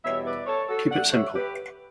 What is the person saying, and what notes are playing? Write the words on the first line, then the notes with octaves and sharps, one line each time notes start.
Keep it simple.
E2 B2 G3 C#5 E5
B4 D5
A4 C#5
F#4 A4
G2 D3 A3 D5 F#5
C#5 E5
G4 B4